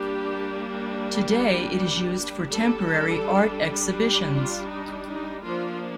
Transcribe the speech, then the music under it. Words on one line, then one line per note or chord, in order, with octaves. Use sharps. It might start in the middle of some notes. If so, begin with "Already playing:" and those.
Today it is used for temporary art exhibitions.
Already playing: G3 A#3 D4 G4
G4
G3 D4 A4
G4
F4
D#4
D#4
F3 A#3 D4 F4